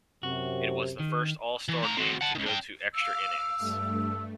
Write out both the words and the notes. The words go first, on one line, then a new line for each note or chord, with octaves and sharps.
It was the first All-Star game to go to extra innings.
F#2 C3 F#4
D#3
E3
A3 A#5
C4 F#4
F#5 A5
C#2 D#3
D4 G5
F5 D6 E6 F6
G2 A3